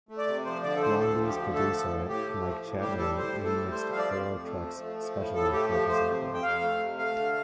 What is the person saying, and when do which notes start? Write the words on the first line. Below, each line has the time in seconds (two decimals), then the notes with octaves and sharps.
Blondie's producer Mike Chapman remixed four tracks specially for this album.
0.09 A3
0.18 D5
0.27 C3
0.45 F3 C5
0.63 D3 D5
0.75 A4
0.81 A3 C5
1.00 D2 A4
1.18 F3
1.27 G4
1.36 D3
1.54 A3 A4
1.71 F3
1.90 A2
2.08 A2 G4
2.27 A3
2.45 F3
2.63 A2
2.80 G3 G4
2.98 G3 A4
3.17 A2 C5
3.35 A2
3.44 A4
3.53 G3
3.71 A3 C5
3.89 F3 F5
3.98 D5
4.07 F2
4.26 F2
4.43 A3
4.62 F3
4.80 A3
4.99 F3
5.16 A2
5.34 A2 A4
5.53 A3 G4
5.70 F3 G4
5.89 A3 C5
6.07 C3
6.25 F2
6.34 G5
6.43 F2 F5
6.62 A3
6.79 C3
6.97 A3 F5
7.16 D3